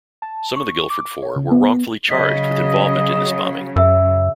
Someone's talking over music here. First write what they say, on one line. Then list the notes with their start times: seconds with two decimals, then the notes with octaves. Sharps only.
Some of the Guildford Four were wrongfully charged with involvement in this bombing.
0.22 A5
0.56 C#6
0.90 D6
1.22 C#5
1.36 C#3
1.51 B3
2.11 C#3 F#3 D#5 B6
3.76 F#2 E5 E6